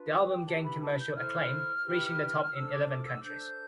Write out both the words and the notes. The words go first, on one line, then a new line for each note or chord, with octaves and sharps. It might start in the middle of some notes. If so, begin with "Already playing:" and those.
The album gained commercial acclaim, reaching the top in eleven countries.
Already playing: D4 F4 B4
D6
G5
E4 G4 B4 A5
B5
A5
G6
E4 A4 C5 F6
E4 G4 B4
D4 A4 C5 E6
D6
D6
E6
D4 A4 C5 G6